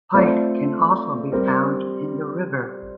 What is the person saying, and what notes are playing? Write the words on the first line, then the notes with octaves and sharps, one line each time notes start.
Pike can also be found in the river.
A3 C4 F4 A4 D5
G3 C4 G4 A#4